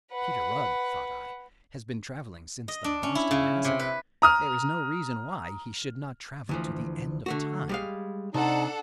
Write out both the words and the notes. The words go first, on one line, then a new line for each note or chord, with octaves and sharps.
If Peter Rugg, thought I, has been travelling since the Boston Massacre, there is no reason why he should not travel to the end of time.
B4 F#5
D#5
D4
C#4
E4
C#3
C3
B4
A#5 D#6 F6
D2 E3 F3
D3 A3 F#4
G3 G#3 F5
C3 D4 D#4 A4 F#5